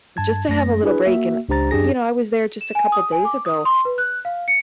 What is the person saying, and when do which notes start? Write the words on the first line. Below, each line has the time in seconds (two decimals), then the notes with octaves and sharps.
just to have a little break, and you know, I was there just a couple days ago,
0.17 G2 A5 G#6
0.49 F#2 A3 A#6
0.83 D4 E4 G#4 B4
1.06 A#3 F#4 E5
1.49 C#2 D4 G4 C5 A#5 A6
1.71 F#2 D4 G4 G#4 A#6
2.61 E7
2.75 G#5
2.92 D#6
3.12 G#5
3.25 D6
3.46 D#6
3.65 C6
3.85 B4
3.98 F#6
4.25 F5
4.48 C#7